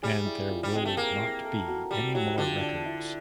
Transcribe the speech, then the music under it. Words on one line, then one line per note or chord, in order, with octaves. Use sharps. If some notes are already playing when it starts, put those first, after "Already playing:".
And there will not be any more records.
G3 G#4
E4
F4
G3
G#3 C4
A3
A#3 G#4
E4
A4
F#4
G3 G4
F#3 E4
D3 F4
D4
E4